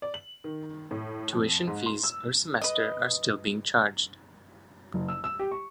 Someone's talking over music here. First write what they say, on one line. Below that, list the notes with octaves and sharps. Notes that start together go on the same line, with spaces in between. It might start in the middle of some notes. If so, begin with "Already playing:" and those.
Tuition fees per semester are still being charged.
D5
F#7
D#3
A2
F2
G#2
C6
E6
B4 D#5
F#1
E6
E6
G4
C#6